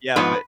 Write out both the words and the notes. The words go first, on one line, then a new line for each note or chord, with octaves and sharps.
yeah, but
G#2 F3 B3 B4